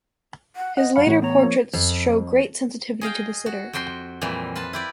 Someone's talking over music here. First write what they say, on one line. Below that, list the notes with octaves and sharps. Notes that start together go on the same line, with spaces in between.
His later portraits show great sensitivity to the sitter.
F#5
D#5 F#5
F#2 C#5 F5 F#5 B5
A2 E3 C#5
B3 C#5 A#5
F3 A#3 C4
F2
G#4 D#5 F5 G5
F#4
F2 F#4 G5 C6
F2 A#2 E3 G3
F4 B4 A5
E4 G4 D5